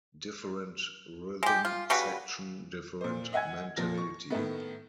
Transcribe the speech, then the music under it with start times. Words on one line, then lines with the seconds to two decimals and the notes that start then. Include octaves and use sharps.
Different rhythm section, different mentality.
1.43 G#3 G4
1.65 F4
1.90 C#3 G3 F#4 B4
3.01 A#2 C5
3.33 D#5 E5 F#5 G#5 G#6
3.76 A#2 F3 A#6
3.97 C#6
4.30 A2 D#3 A3 B3